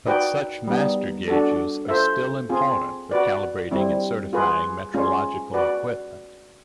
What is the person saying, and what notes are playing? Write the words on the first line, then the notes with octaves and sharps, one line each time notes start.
But such master gauges are still important for calibrating and certifying metrological equipment.
D#4 F#4 B4 D5 G5
G3 B3 D#4
D4 F#4 A4
F4 A4 C5 E5
C4 F4 G#4
F#4 B4 D5
G3 C4 E4
F4 G#4 B4
G#3 C#4 F4
F#4 B4 D5